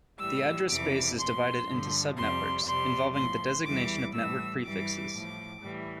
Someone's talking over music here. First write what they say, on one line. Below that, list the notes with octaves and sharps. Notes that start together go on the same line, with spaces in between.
The address space is divided into subnetworks, involving the designation of network prefixes.
A2 E3 G3 E6
F2 C3 E3 G3 D6
A#2 F3 C6
G2 D3 F3
F2 C3 G3 C6
F2 C3 G3 C6
A2 F3 C6
E2 E3 G3 D6
A2 E3 G3 E6
G2 E3 G3 D6
A2 F3
A2 E3 G3